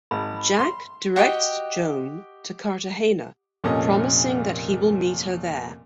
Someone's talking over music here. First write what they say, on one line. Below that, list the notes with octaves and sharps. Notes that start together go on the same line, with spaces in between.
Jack directs Joan to Cartagena, promising that he will meet her there.
G#1 B5
C6
F#4 G4 D#5 G5
F1 A#2 C#4 A4 D#5